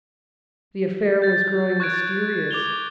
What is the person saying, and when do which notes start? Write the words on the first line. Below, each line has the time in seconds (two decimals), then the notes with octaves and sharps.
The affair was growing mysterious.
1.22 G6 A6
1.80 C#6 F#6 G#6 A6 D7
2.51 D6 G#6 F7 G7